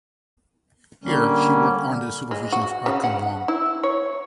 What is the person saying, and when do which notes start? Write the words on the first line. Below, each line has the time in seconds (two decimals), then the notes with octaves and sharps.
Here she worked under the supervision of Erkang Wang.
1.04 D3 G3 A#3 C#4
2.31 G#3
2.52 F#4
2.86 C#3
3.04 F#5
3.48 E4
3.83 C#5